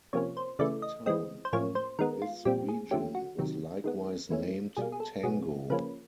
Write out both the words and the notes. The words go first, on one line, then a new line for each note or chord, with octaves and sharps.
A town in this region was likewise named "Tango".
C3 F3 A#3 C#4 C#5
C5
C#3 E3 A3 D5
D#5
E3 G#3 C4 D#5
C5
A2 F3 A#3 C#4 C#5
C5
D#3 G#3 B3 A#4
F4
A#2 G3 C4 G4
G#4
D3 F3 A3 C#4 G4
F#4
C3 D#3 F#3
D#3 G#3 B3
E3 A3 C#4
B2 G3 A#3 G#4
G#4
A4
B2 F#3 B3 G#4
C#3 F3 A#3 C#4 B4